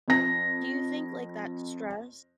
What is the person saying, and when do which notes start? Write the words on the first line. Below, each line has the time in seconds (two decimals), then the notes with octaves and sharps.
Do you think, like, that stress
0.08 F2 A#6